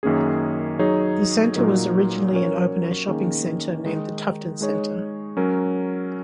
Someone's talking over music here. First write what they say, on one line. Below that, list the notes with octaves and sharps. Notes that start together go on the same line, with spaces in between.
The centre was originally an open-air shopping area named The Tufton Centre.
F#2 D#3 A#3 C#4 G#4
F#3 D#4 G#4 C#5
A#2 F#3 A#3 D#4 A#4
F#3 C#4 A#4 C#5
D#3 A#3 C#4 G#4
D#3 G#3 D#4
G#3 D#4 G#4 C#5
F#3 C#4 A#4